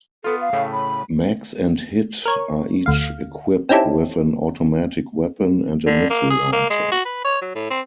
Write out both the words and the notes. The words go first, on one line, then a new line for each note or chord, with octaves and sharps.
Max and Hit are each equipped with an automatic weapon and a missile launcher.
B3 F4 A4
F5
A2 C#3 A3
B5
A#4 C#5
D2 F5
C4 C#4 D#4 E4 G4 A4
D3
A#3
G#4
A#3
G#3
F#4
B4
C#5
F#3
A2
C4